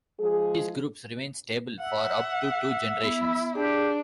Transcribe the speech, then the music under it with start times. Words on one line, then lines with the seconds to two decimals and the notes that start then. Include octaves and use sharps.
These groups remain stable for up to two generations.
0.19 F3 G#3 G#4
1.80 E5 F#5
3.03 B3 E4 B5
3.55 D4 G4 G#4